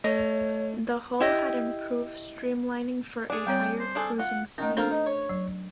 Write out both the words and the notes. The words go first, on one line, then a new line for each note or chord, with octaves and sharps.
The hull had improved streamlining for a higher cruising speed.
A3 C#5 D#5
E4 G4 D#5
D4 G#4
G3 C4 C#5 G5
C5
D4 G#4 A4
F4 F#5
D#3 A3 C#4 D#4
C4 D4 F4 A4 A#4 C5
D#4
C#5
F#3